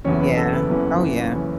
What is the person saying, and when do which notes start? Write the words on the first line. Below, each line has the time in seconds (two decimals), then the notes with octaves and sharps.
Yeah. Oh, yeah.
0.04 F#1 E2 E3 C#4 C#5
0.20 B4
0.37 A4
0.53 B4
0.70 F#1 E2 E3 C#4
1.35 E3 C#4